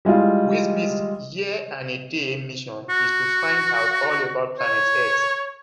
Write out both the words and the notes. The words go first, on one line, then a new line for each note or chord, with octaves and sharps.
Wizbit's year-and-a-day mission is to find out all about planet Earth.
G3 G#3 E4 F4
F#4
C#5